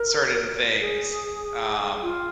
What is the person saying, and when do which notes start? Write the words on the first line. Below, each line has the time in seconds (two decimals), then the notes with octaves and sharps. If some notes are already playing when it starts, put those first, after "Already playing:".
certain things, um
Already playing: A#4
0.79 G#4
2.02 F4